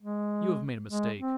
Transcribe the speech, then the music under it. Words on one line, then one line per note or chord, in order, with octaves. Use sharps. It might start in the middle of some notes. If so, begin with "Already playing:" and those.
You have made a mistake.
G#3
G#3
C4